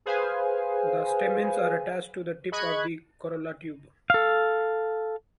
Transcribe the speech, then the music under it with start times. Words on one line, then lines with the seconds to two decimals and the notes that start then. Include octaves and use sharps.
The stamens are attached to the tip of the corolla tube.
0.06 G#4 B4 C5 F5 G#5
2.52 G#4 D#5 B5 C#6 F#6 G#6
4.10 A4 F5